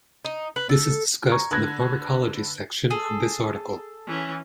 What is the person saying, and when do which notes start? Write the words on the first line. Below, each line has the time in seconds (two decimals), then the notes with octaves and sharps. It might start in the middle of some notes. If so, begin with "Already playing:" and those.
This is discussed in the Pharmacology section of this article.
0.25 D#4
0.56 B4
0.69 A4
1.31 A#5 C#6 G#6
1.51 D3 B4 F#6 G#6 A#6
2.90 G#4 A4
4.07 E3 C#4